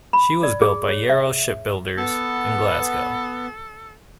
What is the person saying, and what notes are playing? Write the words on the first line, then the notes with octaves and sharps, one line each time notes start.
She was built by Yarrow Shipbuilders in Glasgow.
B5
D5
G#4
C#5
E5
B3 A4